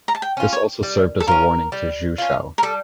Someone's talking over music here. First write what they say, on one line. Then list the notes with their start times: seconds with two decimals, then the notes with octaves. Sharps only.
This also served as a warning to Ju Shou.
0.08 A#5
0.15 A5
0.22 G5
0.37 C#4 F4
0.53 C#5
0.83 G3
1.20 A4
1.28 C#4 F4 A#4
1.72 G3
2.18 C#4 F4
2.58 A#4
2.63 G3 A4